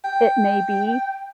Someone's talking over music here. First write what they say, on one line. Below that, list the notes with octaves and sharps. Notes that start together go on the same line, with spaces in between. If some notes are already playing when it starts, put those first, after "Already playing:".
it may be,
G5